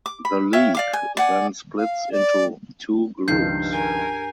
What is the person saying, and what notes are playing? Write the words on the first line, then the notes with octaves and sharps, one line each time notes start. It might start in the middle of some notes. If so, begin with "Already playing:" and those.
The league then splits into two groups.
D6
B5
C#5 E5 F5 G5
D5 F5 D6
G#5
D5 F#5 G#5
F5
D5
C#2 G2 D#3 F3 G6 C7
A#4 G#5